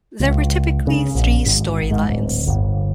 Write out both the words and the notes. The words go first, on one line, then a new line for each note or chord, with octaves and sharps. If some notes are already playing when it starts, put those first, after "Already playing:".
There were typically three storylines.
C#2
C#3
A#1
G#1
G#2
D1
G1